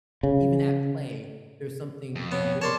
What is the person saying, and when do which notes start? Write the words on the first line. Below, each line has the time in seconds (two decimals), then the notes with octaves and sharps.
even at play, there's something indifference
0.23 C#3
2.15 F2
2.32 B3 C#5
2.62 A#4 C#5 D5 A5 C6